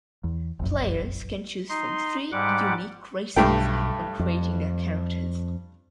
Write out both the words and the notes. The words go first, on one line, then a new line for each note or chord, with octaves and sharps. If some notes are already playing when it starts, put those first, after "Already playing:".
Players can choose from three unique races when creating their characters.
E2
F1 A#1 F#2
D#4 C6
G#2 G3 F#5 D6
B1 G2 A3 G5
F2